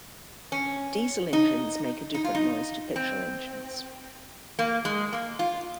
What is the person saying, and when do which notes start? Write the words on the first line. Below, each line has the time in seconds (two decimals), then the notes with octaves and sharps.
Diesel engines make a different noise to petrol engines.
0.52 C#4
1.33 D#4
2.14 D#4
2.24 F4
2.35 D#4
2.96 C4
4.59 A#3
4.85 G#3
5.13 A#3
5.39 F4